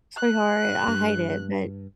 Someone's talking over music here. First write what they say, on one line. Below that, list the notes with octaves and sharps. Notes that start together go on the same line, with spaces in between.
Sweetheart, I hate it, but
F#6
G2